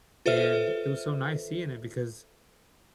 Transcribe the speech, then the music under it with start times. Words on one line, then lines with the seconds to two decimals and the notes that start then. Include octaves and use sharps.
and it was so nice seeing it because,
0.26 F4 A4 B4 C5 E5 F6